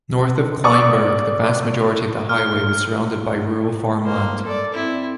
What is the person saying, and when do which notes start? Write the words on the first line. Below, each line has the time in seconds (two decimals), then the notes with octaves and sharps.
North of Kleinburg, the vast majority of the highway was surrounded by rural farmland.
0.64 D5 C#6 D#6 E6
2.29 F6
4.05 A#3 C5
4.46 A4 D5
4.74 C4 E4